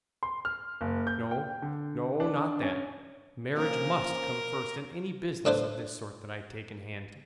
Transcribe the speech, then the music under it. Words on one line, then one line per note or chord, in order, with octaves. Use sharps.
No, no, not that; marriage must come first in any business of this sort that I take in hand.
C6
F6
F#1
G6
G5
D3
D4
C#4
F3 A#3 C#4 A#4
A2 D4 B4 C5